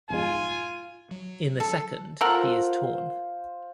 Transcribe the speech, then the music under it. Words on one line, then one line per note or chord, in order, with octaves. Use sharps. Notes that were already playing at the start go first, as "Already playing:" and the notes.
In the second, he is torn.
B1 F2 G#2 F4 G#5
F#3
A4
F4 A4 A#4 C5 F#5